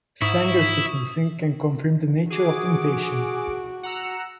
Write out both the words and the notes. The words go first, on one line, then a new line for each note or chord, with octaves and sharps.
Sanger sequencing can confirm the nature of the mutation.
G#2 E4 E5 C#6 D#6
F#4 G#4 D6
F#5 A#5 E6